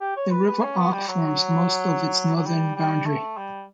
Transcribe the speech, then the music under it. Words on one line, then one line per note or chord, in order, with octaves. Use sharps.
The River Ock forms most of its northern boundary.
G4
C#5
B4
B4
C#4
B3
G3
F#3
F#3
G3
G3
A3
G3